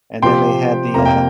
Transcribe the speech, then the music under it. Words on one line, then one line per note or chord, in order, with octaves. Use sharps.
and then they had the, uh
C3 F3 C4 G4 G5 C6
F2 C3 A#3 A#5
G5